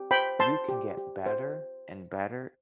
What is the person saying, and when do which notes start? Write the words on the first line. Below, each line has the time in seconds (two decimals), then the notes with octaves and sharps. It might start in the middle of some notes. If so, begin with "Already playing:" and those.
You can get better and better,
Already playing: G4
0.11 C5 G5 B5
0.39 C5 A5 C6
0.69 G4
0.97 G4
1.26 C5